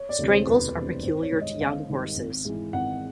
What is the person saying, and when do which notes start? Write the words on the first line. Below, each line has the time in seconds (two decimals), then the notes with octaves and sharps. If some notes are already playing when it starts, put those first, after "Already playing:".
Strangles are peculiar to young horses.
Already playing: C#5
0.09 D5
0.18 D2 C3 E3 G3
0.28 C5
0.47 E1 B4
0.76 D2 C3 E3 G3
1.03 G#1 C5
1.23 C#5
1.32 G#2 D#3 G3
1.41 D#5
1.61 G#1 F5
1.89 G#2 D#3 G3
2.17 G#1
2.45 G#2 E3
2.73 G#1 F#5